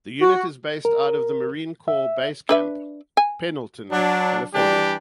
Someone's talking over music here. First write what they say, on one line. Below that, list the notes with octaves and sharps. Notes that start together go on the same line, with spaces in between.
The unit is based out of the Marine Corps Base Camp Pendleton, California.
F#4
A#4
E5
D4 B4 E5
G#5
F#3 D4
E3 G3 D4 G4